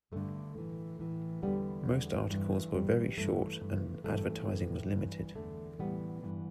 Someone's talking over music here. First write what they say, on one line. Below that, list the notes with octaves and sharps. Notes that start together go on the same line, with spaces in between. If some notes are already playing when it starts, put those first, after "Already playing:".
Most articles were very short and advertising was limited.
G2 D3 A3
A2 E3
A2 E3
E2 D3 G3 B3
E2 D3
G2 E3
G2 E3 G3
G2 E3 A3
G2 E3
G2 E3 A3
A2 E3
G2 E3
E2 D3 A3
A2 E3 G3 B3
G2 E3